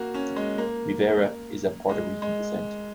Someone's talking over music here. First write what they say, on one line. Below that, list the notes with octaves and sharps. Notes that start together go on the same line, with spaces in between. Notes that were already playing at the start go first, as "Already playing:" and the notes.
Rivera is of Puerto Rican descent.
Already playing: A#3 F#4
C#4
G#3
A#3
G#3
G#3